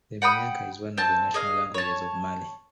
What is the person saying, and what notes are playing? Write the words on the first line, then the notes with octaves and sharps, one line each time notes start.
Minyanka is one of the national languages of Mali.
F#5 G5 B5 D#6
C4 A5
G#4 D#5 F5
C#5 A5